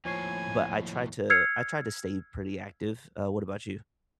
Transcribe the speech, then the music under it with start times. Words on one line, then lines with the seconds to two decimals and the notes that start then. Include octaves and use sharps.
but I try to I try to stay pretty active. Uh, what about you?
0.05 D#2 A2 F3 C#5 G#5 C7
1.30 E6 F6 G#6 C7 C#7 F7